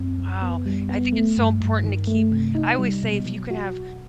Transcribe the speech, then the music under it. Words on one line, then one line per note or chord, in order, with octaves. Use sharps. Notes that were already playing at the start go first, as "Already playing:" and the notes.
Wow, I think it's so important to keep I always say, if you can have
Already playing: F#2 C4
F#2
B3
G3
B3
A3
G2
G2
D#3
A3
C3
D#4
G3
B2
F#3
F#4